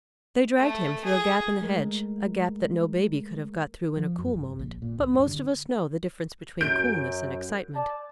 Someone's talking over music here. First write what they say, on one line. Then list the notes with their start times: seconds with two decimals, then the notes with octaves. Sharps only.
They dragged him through a gap in the hedge, a gap that no baby could have got through in a cool moment; but most of us know the difference between coolness and excitement.
0.57 A3
1.05 G#4
1.62 G#3 A3 A#4
3.97 F3
4.18 F#2
4.34 G1
4.59 A#1
4.82 A#2
4.98 C#2
5.14 G2
5.27 D3
6.61 F#2 G6 D7
7.75 D5 A5